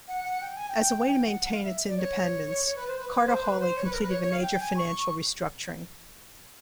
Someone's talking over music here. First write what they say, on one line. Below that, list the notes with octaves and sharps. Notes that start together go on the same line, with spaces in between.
As a way to maintain its independence, Carter Hawley completed a major financial restructuring.
F#5
F#5
G5
G#5
G5
G5
F#5
F#5
F5
E5
D5
C#5
B4
C5
B4
B4
C5
B4
C5
C#5
B4
A#4
B4
C#5
C#5
F5
G5
G#5
C#6